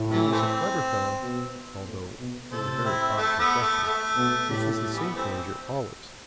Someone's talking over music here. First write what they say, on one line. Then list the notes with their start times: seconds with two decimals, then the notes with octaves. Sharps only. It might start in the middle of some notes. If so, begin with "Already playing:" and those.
He was a clever fellow, although of a very odd complexion, which was the same color as your olives.
Already playing: A2
0.10 C3 E3
0.32 E3 A3 C4
1.20 B2
1.86 A2
2.19 B2
2.51 A2 C3 A4 C5
2.85 C4 E4
3.17 A3
3.39 B3
3.62 A3
3.84 A3
4.16 B2
4.49 A2 G3
4.72 A3
4.94 E3 G3 B3
5.15 E3 A3 C4